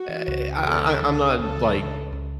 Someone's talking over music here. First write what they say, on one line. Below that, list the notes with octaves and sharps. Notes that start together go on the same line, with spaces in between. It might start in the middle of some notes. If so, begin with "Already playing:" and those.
Eh I I I'm not, like,
Already playing: F#4
E3
C#2
C#3
C#2 A4
E3
C#2
C#3
C#2 A4
E3
C#2
C#3
C#2